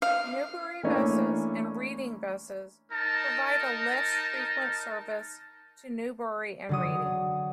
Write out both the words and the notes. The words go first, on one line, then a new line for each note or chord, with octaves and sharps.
Newbury Buses and Reading Buses provide a less frequent service to Newbury and Reading.
F5
E3 A3 A#3 C#4 D4 E4
D#4 A#4 A5
D3 F#3 D#6